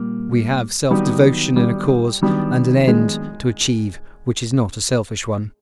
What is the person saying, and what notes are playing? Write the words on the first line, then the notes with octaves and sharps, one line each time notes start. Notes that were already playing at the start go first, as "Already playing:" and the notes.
We have self-devotion in a cause, and an end to achieve which is not a selfish one.
Already playing: A#2 G3 A#3
D#3 F#3 G3 B3 D#4 F#4
G3
D#3 F#3 G3 B3 D4
G#3